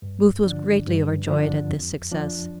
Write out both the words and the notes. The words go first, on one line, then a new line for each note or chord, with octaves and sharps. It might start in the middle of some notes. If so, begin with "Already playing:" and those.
Booth was greatly overjoyed at this success.
G2
D3 F3 D4
G2
D3 F3 D4
F2
F3 D4